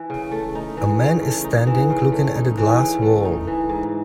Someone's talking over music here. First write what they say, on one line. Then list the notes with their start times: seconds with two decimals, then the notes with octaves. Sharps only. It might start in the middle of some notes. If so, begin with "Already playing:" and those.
A man is standing looking at a glass wall.
Already playing: E3
0.10 C#3
0.32 A3
0.55 D#4
0.77 E3
1.00 C#3
1.22 A3
1.44 D#4
1.67 E3
1.90 C#3
2.12 A3
2.35 D#4
2.57 E3
2.79 C#3
3.02 A3
3.25 D#4
3.47 E3
3.69 G#2